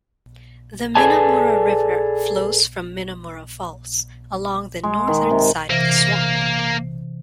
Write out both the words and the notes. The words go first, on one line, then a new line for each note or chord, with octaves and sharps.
The Minnamurra River flows from Minnamurra Falls along the northern side of the swamp.
G#4 A4 B4 D5 G#5 A5
G#3
D#3
C3
C3 E3 A#3